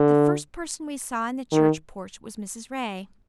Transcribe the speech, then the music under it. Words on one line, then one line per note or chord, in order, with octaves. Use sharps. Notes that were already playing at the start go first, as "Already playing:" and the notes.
The first person we saw in the church porch was Mrs. Ray.
Already playing: D3
D#3